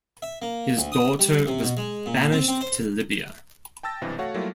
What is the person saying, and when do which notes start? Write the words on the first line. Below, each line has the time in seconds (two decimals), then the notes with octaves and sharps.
His daughter was banished to Libya.
0.22 E5
0.42 A#3
0.77 D2
0.92 D#6
1.19 G3
1.47 C3
1.62 B2
1.77 G#3
2.06 A#2
2.32 C4
2.48 C4
2.61 C5
3.83 G5 A5 E6 A6 A#6
4.01 B1 G2 C3 E3
4.19 A3 F#4 C#5 F5 F#5
4.34 F#3 G3 A3 A#3 E4 F4